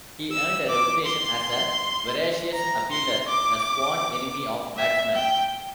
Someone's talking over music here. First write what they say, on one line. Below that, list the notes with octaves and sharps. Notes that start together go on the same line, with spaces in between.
He earned a reputation as a voracious appealer, a sworn enemy of batsmen.
E6
D6
C6
A#5
C6
D6
E5
G5